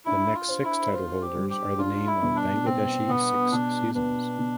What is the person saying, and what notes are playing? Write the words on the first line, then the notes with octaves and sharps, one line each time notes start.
The next six title holders are the name of Bangladeshi six seasons.
D4 E4
F4
C5
E4
F4 C5
G4
G3
G4
D4 F4
E4
B2
D4
B2 C4
B2 B3
B2 D4
B3 D4
B2